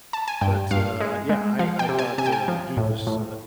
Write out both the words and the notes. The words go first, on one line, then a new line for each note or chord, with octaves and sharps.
But, uh, yeah, I I thought, uh, he was uh,
A5
G#5
G2 G5
G2 F5
G#3
G#3
F3 F5
G5
C3
G#5
C3 G#5
G5
G#5
F3
A2
A2